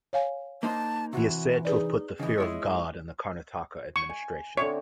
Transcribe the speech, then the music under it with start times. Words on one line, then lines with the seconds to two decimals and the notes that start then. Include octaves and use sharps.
He is said to have put the fear of god in the Karnataka administration.
0.13 C#5 F5 G#5
0.63 A#3 D#4 C5 A5
1.13 C3 E3 F#4
1.65 D#4 G#4 B4 D5
2.20 C#3 E3 D#5
2.38 G#3 E4 C#5
3.96 C#6
4.09 G#5
4.57 D3 C4 C#5 E5